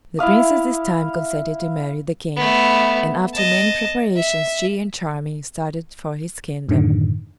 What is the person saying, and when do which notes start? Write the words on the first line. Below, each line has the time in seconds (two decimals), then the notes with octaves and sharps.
The Princess this time consented to marry the King, and after many preparations she and Charming started for his kingdom.
0.19 E4 E5 F5 D#6
2.36 A3 B3
3.34 D#5 A5
4.16 E5
6.69 F#2 A2 D3 D#3